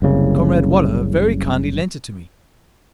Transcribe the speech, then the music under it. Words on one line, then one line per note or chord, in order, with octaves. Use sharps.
'Comrade Waller very kindly lent it to me.
F#1 C2 C#3